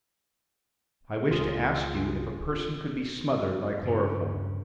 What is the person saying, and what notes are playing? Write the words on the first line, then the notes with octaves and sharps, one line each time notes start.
"I wish to ask you if a person could be smothered by chloroform."
C#2 F4 G#4
G2 C#3